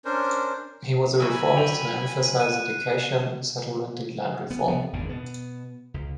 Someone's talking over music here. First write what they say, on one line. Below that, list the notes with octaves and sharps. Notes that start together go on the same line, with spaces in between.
He was a reformist who emphasized education, settlement, and land reform.
C#4 D4 A#4 C5
E3 F#3 G#5 B5
G5 F7
F#6 D#7
B3
C3 F3 B3
G#1 E2 G2 D#3
B2 B3
C#2